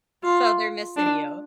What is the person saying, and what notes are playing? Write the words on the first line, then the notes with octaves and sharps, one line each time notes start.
So, they're missing you.
F4
D4